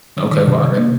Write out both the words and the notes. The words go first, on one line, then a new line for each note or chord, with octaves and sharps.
Okay, wow, that
D#3
D#3
C3
C3
A#3